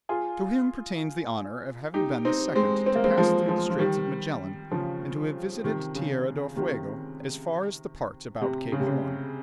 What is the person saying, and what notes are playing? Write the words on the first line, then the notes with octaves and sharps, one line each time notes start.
To him pertains the honour of having been the second to pass through the Strait of Magellan, and to have visited Tierra del Fuego as far as the parts about Cape Horn.
F4 G#4
D#4 G4
C4 D#4
G#3 C4
C4
A#3
G#3 C4
F3 G#3
F3 G#3
F3
D#3 G3
C#3 F3
C3 D#3
C#3
C3 D#3
C3
C#3
C3
C#3